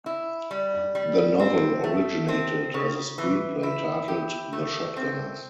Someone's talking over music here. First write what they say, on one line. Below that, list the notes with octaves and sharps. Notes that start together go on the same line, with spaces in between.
The novel originated as a screenplay titled "The Shotgunners".
E4
G3
G3
C4
A3
C4
C#3
E3
E4
G4
A3
C4